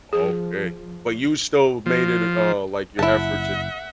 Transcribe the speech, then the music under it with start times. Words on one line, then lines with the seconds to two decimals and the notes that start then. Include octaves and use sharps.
Okay, but you still made it d uh, like your effort to
0.13 F3 G#4
1.86 F3
2.99 F#1 E4 E5 F#5 A5